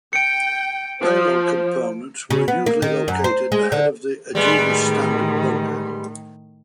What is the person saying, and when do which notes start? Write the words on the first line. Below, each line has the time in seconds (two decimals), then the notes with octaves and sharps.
Payload components were usually located ahead of the Agena's standard bulkhead.
0.13 G5 C#7 D7
0.99 F3 C5
2.30 C#3
2.48 B3
2.66 A#3
2.82 D#3
3.08 F#2
3.24 C5
3.52 G#3
3.72 D3
4.35 A2 D#3 G3 G#3 B3